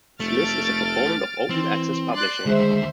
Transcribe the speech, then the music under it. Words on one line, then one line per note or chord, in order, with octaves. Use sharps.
Smith is a proponent of open access publishing.
F1 A3 F6 A6 D7
E3 C4
D5 C6 F#6
D#2 D3 G#3 C5 E5